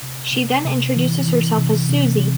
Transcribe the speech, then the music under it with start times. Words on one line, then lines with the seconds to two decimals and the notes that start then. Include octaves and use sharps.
She then introduces herself as Suzee.
0.02 C3
0.33 C3
0.65 C3
0.96 E3
1.27 E3
1.58 C3
1.89 C3
2.20 C3